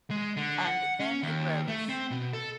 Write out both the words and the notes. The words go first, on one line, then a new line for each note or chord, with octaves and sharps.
And then it rose.
G#3
D3
F#5
C#4
D#2
A3
C4
B2
A4